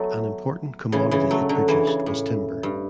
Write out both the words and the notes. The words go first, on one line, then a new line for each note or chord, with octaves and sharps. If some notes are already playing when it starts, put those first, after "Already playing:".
An important commodity it produced was timber.
Already playing: F#3 A3 B3
C#3 E3
C#3 E3
F#3 A3
D3 F#3
C#3 E3
C#3
A2
G2